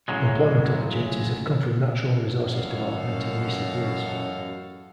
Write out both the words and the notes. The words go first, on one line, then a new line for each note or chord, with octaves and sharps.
Employment opportunities have come from natural resources development in recent years.
A2 C#3 E3 F#3 G#3
A1 F#2 B2 F#4 A4 F5